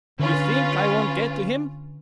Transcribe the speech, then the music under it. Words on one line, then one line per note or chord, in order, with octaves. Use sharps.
You think I won't get to him?
D3 C#4 F4 B4